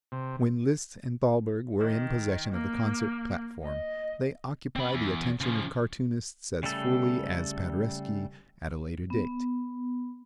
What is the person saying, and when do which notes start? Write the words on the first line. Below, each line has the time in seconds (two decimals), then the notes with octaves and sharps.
When Liszt and Thalberg were in possession of the concert platform, they occupied the attention of cartoonists as fully as Paderewski at a later date.
0.12 C3
1.79 D#3
2.52 A#3
3.64 D#5
4.76 C4 B5
4.93 E2
5.41 C#3 F3
6.63 C#3 G3 A3 A4
9.10 B3